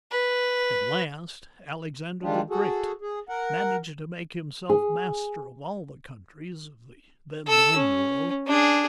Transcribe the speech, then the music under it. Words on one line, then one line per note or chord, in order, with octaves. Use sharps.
At last Alexander the Great managed to make himself master of all the countries of the then-known world.
B4
D#3 G3 G#3 D4 F4 G4
F#4 G#4 A4
G#4
A#4 F#5
G#4
A4 E6
C#4
D4 G#4